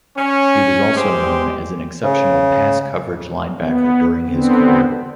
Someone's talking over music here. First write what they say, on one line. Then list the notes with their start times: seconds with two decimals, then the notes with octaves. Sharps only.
He was also known as an exceptional pass-coverage linebacker during his career.
0.16 C#4
0.96 G#3 C4 G4
2.03 C#3
3.60 B3
4.27 D3 B3 C4